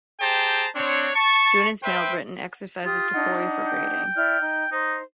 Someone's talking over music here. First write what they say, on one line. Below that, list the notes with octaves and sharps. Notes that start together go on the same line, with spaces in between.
Students mailed written exercises to Cory for grading.
G4 G#4 C5 G5 A5 A#5
C4 D4 C#5
A5 C#6
B4 C5 E5 G5
F4 G4 D#6
D4 D#4 F#5
G5
E4 D5 F6
D#4
D#4 C5